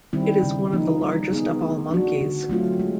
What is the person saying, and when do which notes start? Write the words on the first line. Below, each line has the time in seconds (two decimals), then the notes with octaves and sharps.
It is one of the largest of all monkeys.
0.13 D#3 G3 C4 E4
0.43 C#3
0.73 F3 A#3 D#4
1.02 G3
1.31 B3 D#4 G#4
1.61 A3
1.91 D4 F#4
2.21 D3
2.50 F#3 A3 C4 F4
2.80 G#3